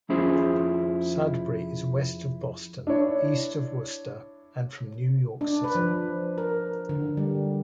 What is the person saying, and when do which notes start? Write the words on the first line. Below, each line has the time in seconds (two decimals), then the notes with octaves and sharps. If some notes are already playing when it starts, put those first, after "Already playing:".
Sudbury is west of Boston, east of Worcester, and from New York City.
0.09 F2 C#4 E4 F4 G#4 C5
2.87 D4 E4 C#5
5.41 D4
5.64 B4
5.75 F3
6.38 A#4
6.89 D3
7.17 G3